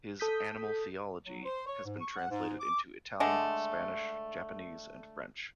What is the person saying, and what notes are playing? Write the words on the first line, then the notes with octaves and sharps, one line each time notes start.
His "Animal Theology" has been translated into Italian, Spanish, Japanese and French.
A4 D#6 G6 B6
F#3
C5
C#5
G#2
C#6
F#5
G#2
D6
D3 G#3 A3